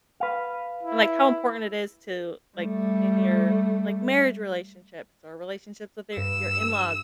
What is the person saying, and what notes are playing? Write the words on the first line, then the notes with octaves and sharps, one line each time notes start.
And, like, how important it is to, like, in your, like, marriage relationships or relationships with your your in laws.
B4 F5
E4
G3 A3
G2 E6